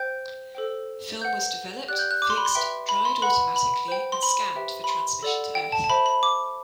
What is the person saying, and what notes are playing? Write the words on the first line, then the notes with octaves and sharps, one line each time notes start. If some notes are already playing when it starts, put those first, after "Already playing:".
Film was developed, fixed, dried automatically, and scanned for transmission to Earth.
Already playing: C5 G5 G6
A4 C5 G5
B4 F#5 G6
G4 D5 G5 F#6
G6
F#6
D6
C6
B5
C6
B4 E5 G5
B5
C6
B4 F#5 B5
B5
C5 G5
C6
B5
G4 B4 E5 G5
B5
C6
A4 D5 F#5
G5
A5
A5
C5 E5 G5 B5
B5
D6